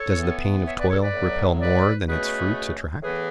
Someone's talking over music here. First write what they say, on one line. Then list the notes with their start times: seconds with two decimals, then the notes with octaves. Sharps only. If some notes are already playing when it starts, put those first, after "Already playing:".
Does the pain of toil repel more than its fruits attract?
Already playing: A4 C#5
0.19 E3 B3
0.66 C#5 E5
0.79 B4 D5
0.90 A4 C#5
1.02 B4 D5
1.14 A2 F#3 B3
1.61 B4 D5
2.08 B2 A3 C#4 G#4 B4
3.03 A2 E3 B3 G#4 B4